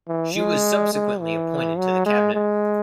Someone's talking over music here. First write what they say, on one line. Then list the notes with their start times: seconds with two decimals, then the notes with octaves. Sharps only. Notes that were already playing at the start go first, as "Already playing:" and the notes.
She was subsequently appointed to the Cabinet.
0.08 E3
0.35 G#3
0.93 G#3
1.21 E3
1.77 F#3
2.06 G#3
2.34 G#3